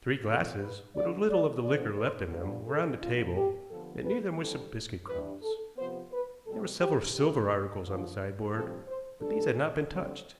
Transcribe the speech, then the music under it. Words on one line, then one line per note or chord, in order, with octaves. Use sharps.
Three glasses, with a little of the liquor left in them, were on the table, and near them were some biscuit crumbs. There were several silver articles on the sideboard, but these had not been touched.
A2 F3 C4 A4
B4
G2 D3 F3 D5
D5
E2 D3 F3 C4 D5
C5
G2 F3 B3 D4
A4
A2 F3 B3 D4 F4
G4
D3 F3 B3 A4
B4
G2 D3 G3 C4 A4
G2 E3 G3 D4 B4
A4
C3 F3 B3 C5
B4
B2 G3 C4 A4
G4
F2 D3 A3 C4 G4
E2 D3 F3 F4
G2 F3 C4 A4
C5
B2 G3 D4 A4
D3 G3 C4